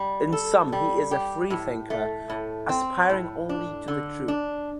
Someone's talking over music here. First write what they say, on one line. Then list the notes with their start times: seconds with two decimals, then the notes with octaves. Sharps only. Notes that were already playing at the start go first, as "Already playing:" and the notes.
In sum he is a free thinker, aspiring only to the truth.
Already playing: G3
0.33 A4
0.72 G3
1.11 G4
1.50 A2
1.90 A3
2.30 A2
2.69 C4
3.09 A2
3.49 D4
3.88 D3
4.28 D4